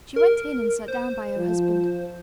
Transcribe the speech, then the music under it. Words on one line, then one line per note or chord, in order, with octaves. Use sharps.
She went in and sat down by her husband.
A#4
C5
F3